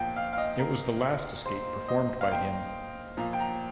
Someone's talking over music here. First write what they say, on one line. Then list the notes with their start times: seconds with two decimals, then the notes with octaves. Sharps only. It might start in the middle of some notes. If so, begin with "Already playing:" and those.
It was the last escape performed by him.
Already playing: A#2 F3 G5
0.16 F5
0.33 F5
0.38 D#5
0.59 A#4
1.46 C5
1.88 D#5
2.21 F5
2.32 G5
3.17 A#2 F3 A#5
3.33 G5
3.40 A#5